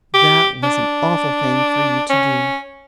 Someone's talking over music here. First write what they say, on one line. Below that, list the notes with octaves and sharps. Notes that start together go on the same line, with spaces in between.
That was an awful thing for you to do.
G4
D4
C#4